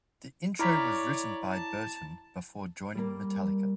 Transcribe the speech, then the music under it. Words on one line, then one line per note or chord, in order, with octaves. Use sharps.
The intro was written by Burton before joining Metallica.
E4 C#5 D5 A#5 B6
A5
G3 A#3